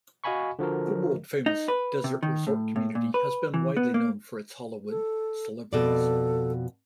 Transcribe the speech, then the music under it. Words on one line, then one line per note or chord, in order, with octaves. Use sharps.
The world-famous desert resort community has been widely known for its Hollywood celebrities.
F#4 D#5 F5 G#5 B5 C#6
D3 F3 F#4 A#4
D#4
B4
C3
D#3
A2
A2
A#2
B4
E3
B3
A#3
A4
F2 B2 A4 D5